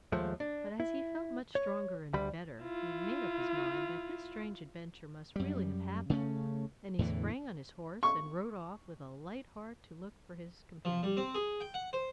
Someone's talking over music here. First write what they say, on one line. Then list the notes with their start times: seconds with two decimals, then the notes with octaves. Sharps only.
But as he felt much stronger and better he made up his mind that this strange adventure must really have happened, and he sprang on his horse and rode off with a light heart to look for his companions.
0.12 D#2 F3 G#3 A3
0.40 D4
0.80 E4
1.55 C#5
2.14 D2 G3 B5
2.63 E4 F4
5.36 F#2 G3
6.10 C#3 A3 C#4
6.99 E2 A2 D3 E3
8.03 C#6
10.85 F3
11.03 G3
11.17 C4
11.35 G#4
11.61 G5
11.74 F#5
11.93 C5